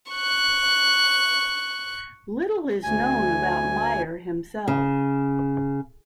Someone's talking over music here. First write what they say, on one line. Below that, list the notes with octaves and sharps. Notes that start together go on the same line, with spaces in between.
Little is known about Meyer himself.
C#6 F#6
D2 G#5
C#3